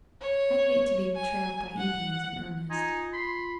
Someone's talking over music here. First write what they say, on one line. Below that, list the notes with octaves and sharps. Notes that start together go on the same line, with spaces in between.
I'd hate to be trailed by Indians in earnest.
C#5
G#5
F#5
D#4 F4 G#5
B5 C6